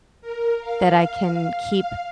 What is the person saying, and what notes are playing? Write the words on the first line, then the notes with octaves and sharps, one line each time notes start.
that I can keep
A#4
F5